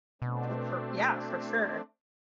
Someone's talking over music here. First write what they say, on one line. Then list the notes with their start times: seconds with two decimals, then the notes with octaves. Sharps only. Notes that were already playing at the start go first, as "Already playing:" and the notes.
Ooh, for yeah, for sure.
0.22 B2 A3 C4 D4